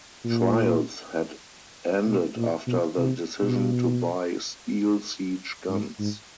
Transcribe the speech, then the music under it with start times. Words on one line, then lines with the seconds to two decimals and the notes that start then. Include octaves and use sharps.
Trials had ended after the decision to buy steel siege guns.
0.25 A#2
2.07 B2
2.37 A#2
2.67 B2
2.97 C3
3.42 B2
5.69 G#2
5.99 G#2